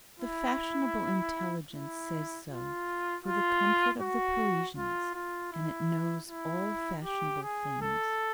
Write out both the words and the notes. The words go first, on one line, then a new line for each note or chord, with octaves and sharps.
The fashionable intelligence says so for the comfort of the Parisians, and it knows all fashionable things.
E4
E4
F4
F4
F#4
F4
F4
E4
E4
G4
G#4
A4